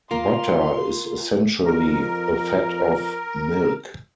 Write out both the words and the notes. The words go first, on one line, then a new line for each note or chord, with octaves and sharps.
Butter is essentially the fat of milk.
A#3 F4 C6
F2 A#4